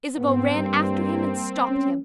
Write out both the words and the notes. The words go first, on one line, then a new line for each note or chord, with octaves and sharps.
Isabeau ran after him and stopped him.
G#2 B3 C4
G2 G3 A#3
C#4